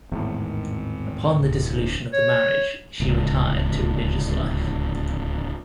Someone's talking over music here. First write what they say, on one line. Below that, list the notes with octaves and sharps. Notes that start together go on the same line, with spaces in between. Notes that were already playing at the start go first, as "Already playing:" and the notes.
Upon the dissolution of the marriage, she retired to religious life.
G#1 E2 A2
D1
C#5
D1 C#2